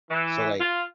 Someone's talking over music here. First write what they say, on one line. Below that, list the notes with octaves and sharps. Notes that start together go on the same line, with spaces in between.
so like
E3
F4